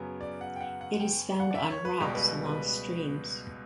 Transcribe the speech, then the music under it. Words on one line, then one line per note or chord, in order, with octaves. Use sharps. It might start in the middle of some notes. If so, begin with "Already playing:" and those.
It is found on rocks along streams.
Already playing: F#2 C#3 F#3 B3
D5
F#5
G5
F#5
F#5
G5
F#5
D5
E5
C#5
B4
C#2 B2 G3 G4
B4
B4